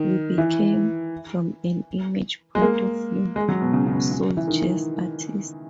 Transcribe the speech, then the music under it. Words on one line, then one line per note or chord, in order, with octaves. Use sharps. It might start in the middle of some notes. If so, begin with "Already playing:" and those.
We became, from an image point of view, soul jazz artists.
Already playing: D#3
E3
G#3
A#3
G#3
F#3
B2
C#3
C#3
B2
C#3
E3
D#3